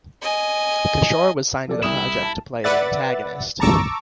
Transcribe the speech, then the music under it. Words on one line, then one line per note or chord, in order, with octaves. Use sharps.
Kishore was signed to the project to play the antagonist.
D#5 G#5
F3 A4 D5
C2 E4 D#6 E7
A5
B4 D5 E5 F#5 A6
A5 A#5 C#6 D6 E6